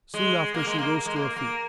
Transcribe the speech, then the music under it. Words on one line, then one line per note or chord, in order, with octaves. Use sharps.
Soon after she rose to her feet.
G#3
A#3
G#3
A#3
G#3
A#3
A#3